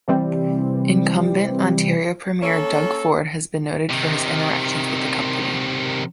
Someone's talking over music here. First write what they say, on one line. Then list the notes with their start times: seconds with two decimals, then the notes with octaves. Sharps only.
Incumbent Ontario premier Doug Ford has been noted for his interactions with the company.
0.08 C3 E3 G3 C4
2.42 A#3 C#4 A4 C#5
3.91 C3 D#3